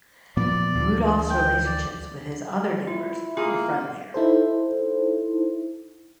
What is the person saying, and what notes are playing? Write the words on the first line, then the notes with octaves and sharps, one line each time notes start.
Rudolph's relationships with his other neighbours were friendlier.
A#2 F3 B3 D5
D2 D3 E3
G5
D5
E4 F4
A#3 F4 G#4
D#4 E4 A4 C5